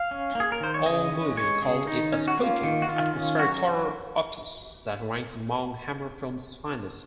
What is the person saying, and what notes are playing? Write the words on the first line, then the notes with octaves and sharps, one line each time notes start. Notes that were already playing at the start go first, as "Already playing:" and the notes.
AllMovie called it a spooky, atmospheric horror opus that ranks among Hammer Films' finest.
Already playing: F5
C#4
A#3 G#4
A#4
D#3 C5
C#5
C#3 D#5
C#4
G#3 C#5
C#3 G#4
D#3 D#4
C#4
F#4
A#3 F4
D#3
F#4
D#3 F4
C#4
F#3 F#4